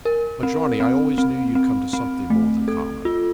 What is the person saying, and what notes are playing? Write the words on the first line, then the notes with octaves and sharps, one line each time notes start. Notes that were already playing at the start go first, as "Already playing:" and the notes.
But, Johnny, I always knew you'd come to something more than common.
A#4
C4
C4
C4
C4
C4
A3
A4
F4